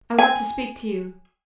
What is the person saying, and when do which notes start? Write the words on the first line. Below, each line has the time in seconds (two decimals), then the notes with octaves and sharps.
I want to speak to you.
0.18 G#5